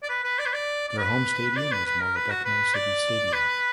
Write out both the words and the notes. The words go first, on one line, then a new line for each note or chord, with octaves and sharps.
Their home stadium is Molodechno City Stadium.
D5
B4
B4
D5
B4
D5
D5
B4
D5
B4
B4
A#4
B4
F#4
B4
D5
B4